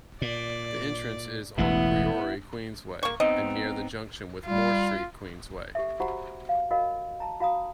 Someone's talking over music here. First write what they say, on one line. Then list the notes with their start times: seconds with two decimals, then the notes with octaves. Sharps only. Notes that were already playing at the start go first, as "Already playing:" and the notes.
The entrance is on Priory Queensway, and near the junction with Moor Street Queensway.
0.22 A#2 D5
1.58 E1 A1 A2 B3 E4
3.03 A#3 C#6
3.20 B3 C4 D#4 D#5
4.46 G3 F4
5.75 G4 A4 E5
6.00 F#4 G4 C5 F#5 A#5
6.49 F5
6.71 F#4 A#4 D#5 F5
7.20 A5 A#5
7.40 F#4 F5 A#5 D#6